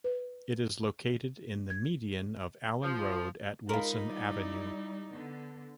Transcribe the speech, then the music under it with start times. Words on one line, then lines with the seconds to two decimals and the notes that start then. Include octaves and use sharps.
It is located in the median of Allen Road at Wilson Avenue.
0.04 B4
1.70 G#6
2.83 F3
3.69 G#3 D#4 F4 A#4 B5
4.07 G3 E4 D5
5.12 D3 B3 A4